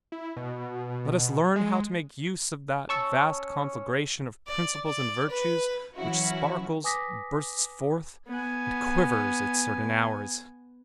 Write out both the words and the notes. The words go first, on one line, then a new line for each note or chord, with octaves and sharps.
Let us learn how to make use of that vast conflagration of principles and virtues, which sparkles, bursts forth and quivers at certain hours.
E4
B2
G#3
C#4 A5 C#6 E6
D5
D5
B4
E3 F#3 C#4 E4 F#4
B4 G#5 D6 D#6 A#6 B6
B3 G#5